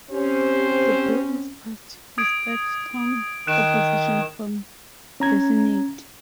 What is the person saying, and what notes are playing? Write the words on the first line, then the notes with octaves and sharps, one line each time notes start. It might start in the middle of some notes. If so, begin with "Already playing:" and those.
The bill was passed despite strong opposition from the senate.
C4 C#4 G4 C5
D#6 G#6 D7
D#3 F#6 D7 E7
C#4 A#5 G#6